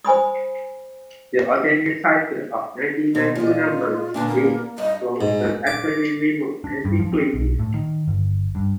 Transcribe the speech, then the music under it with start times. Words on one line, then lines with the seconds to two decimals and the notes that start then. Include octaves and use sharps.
The octennial cycle of ninety-nine lunar months dates from an extremely remote antiquity.
0.05 C5 G#5 B5 D#6
3.15 B2 C5
3.36 A#2 F4 D#5
4.14 A#2 D3 B3 D4
4.28 A#3
4.78 G2 D#5
5.21 G#2
5.67 D6
6.64 D4
6.85 G2
6.99 F3
7.12 C4
7.34 B1
7.59 A2
7.74 D#3
8.07 G1
8.55 G2